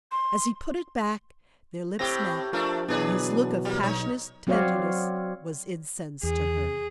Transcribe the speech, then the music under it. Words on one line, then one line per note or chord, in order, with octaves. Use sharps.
As he put it back their lips met, and his look of passionate tenderness was incense to her.
C6
A2 C4 G4 A#6
F3 A3 D4 A#4
B2 E3 F#3 D4 G#4 B4
G3 A#3
B1 D#4 C#5
F#3 C4 F#4 C#5 D5 F5
E2 G#4